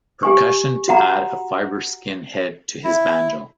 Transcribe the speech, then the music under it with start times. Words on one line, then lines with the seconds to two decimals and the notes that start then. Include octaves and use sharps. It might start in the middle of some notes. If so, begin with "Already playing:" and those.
Percussion to add a FiberSkyn head to his banjo.
0.23 G4 G#5 C#6
0.88 F#4 F#5 A#5 B5
2.84 E4